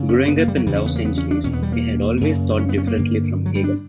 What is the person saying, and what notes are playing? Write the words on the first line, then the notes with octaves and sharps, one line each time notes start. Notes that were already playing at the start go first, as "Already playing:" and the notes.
Growing up in Los Angeles, he had always thought differently from Hagen.
Already playing: F#2 C#3
C#4
B3
A#3
G3
F#3
E2 C#3 G3
C#4
B3
A#3
B3
C#4
D4
E2 B2 C#4
B3
G3
A#3
F#2 C#3
C#4
B3
C#4
A#3
G2 D3
F#3
G3
D4